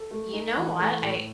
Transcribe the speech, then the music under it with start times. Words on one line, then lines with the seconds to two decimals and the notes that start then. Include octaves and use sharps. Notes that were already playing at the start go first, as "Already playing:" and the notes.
You know what? I
Already playing: A4
0.11 A3
0.33 D#4
0.57 E3
0.79 A3
1.02 A2